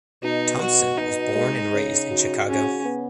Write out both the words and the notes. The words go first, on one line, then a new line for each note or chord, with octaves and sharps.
Thompson was born and raised in Chicago.
B2 D#4
B2 F#4
B2 D#4
G#3
C#3
F#4
C#3 C#4
B3